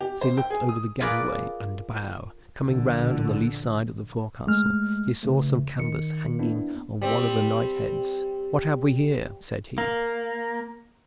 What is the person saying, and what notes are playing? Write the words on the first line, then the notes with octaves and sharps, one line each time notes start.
As he looked over the gangway and bow, coming round on the lee side of the forecastle, he saw some canvas hanging on one of the night-heads--"What have we here?" said he.
G4
C5
G5
G#4
D#6
F4 G#4 A#4 B4 D5
A#1 D3
G#3 A3 F6
C#3 E3 A3
D#3 C#7
A#3 B3 D4 E4
G3 C4
A#3